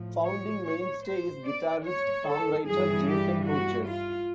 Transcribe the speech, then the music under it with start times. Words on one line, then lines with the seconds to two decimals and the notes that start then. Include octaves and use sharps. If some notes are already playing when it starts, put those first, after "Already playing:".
Founding mainstay is guitarist-songwriter, Jason Hodges.
Already playing: A2 F3
0.24 C#5
0.65 C#5
1.05 C5
1.45 D5
1.85 C#5
2.26 A4
2.66 G2 E3 G#4
3.07 G4
3.47 F#4
3.87 F4